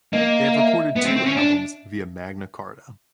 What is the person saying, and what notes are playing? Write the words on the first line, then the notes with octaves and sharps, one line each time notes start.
They have recorded two albums via Magna Carta.
A#3 D#5
E5
B3
C4
C4
C#4
D4